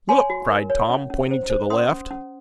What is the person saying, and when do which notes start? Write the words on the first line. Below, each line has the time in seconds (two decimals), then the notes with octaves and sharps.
"Look!" cried Tom, pointing to the left.
0.09 C#5 G#5 C6
0.30 F#4
0.50 A#4
0.70 C#5
0.90 C#4
1.10 C#4
1.31 C5
1.50 C5
1.70 C#4 C6 D#6
1.91 C#4
2.11 C#4